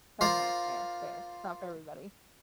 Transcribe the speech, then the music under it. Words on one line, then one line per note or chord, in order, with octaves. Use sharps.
Okay, fair, fair. It's not for everybody.
F4 A#4 C5 D5 F5